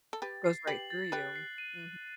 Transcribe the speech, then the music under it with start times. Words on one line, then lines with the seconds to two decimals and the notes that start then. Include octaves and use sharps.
Goes right through you, mhm.
0.13 A4
0.22 G4 B4 A6
0.44 C7
0.67 G4 B4 F#7
0.90 A6
1.12 G4 B4 F#6
1.36 C7
1.58 D#7